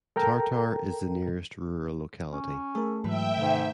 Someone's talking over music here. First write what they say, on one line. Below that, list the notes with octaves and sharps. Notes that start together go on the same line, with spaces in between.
Tartar is the nearest rural locality.
A4 A#4 G5 A#5
C#4
A3 G#4 A#4
G#2 E3 F#3 B4 E5 G5
G#2 C3 D#3 A3